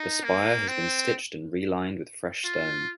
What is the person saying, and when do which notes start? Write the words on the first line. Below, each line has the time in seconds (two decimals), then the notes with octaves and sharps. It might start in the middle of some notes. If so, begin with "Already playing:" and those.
The spire has been stitched and relined with fresh stone.
Already playing: D#4
0.24 A#3
0.68 C4
2.45 F4